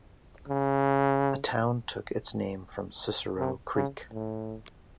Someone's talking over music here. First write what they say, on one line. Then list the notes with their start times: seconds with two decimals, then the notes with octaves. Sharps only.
The town took its named from Cicero Creek.
0.49 C#3
3.39 C3
3.76 C#3
4.11 A2